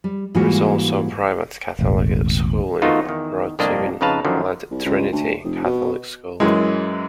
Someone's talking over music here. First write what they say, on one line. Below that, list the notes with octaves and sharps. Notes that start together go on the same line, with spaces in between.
There is also a private Catholic school in Protivin called Trinity Catholic School.
G3
G#2 E3 G3 A#3 F4 F#4
E1 A1
D#3 A3 B3 D#4 F4 F#4
E2 D#3
C2 F2 A2 A#3 D4 D#5
F2 C#3 D#4 B4 F5 A5
F#2 D3 D#3 F3
C2
C#2
D2
F1
B2
F#2 E3 G#3